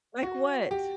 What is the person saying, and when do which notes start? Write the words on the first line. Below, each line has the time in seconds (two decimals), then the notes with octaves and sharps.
Like what?
0.23 F#4
0.71 G4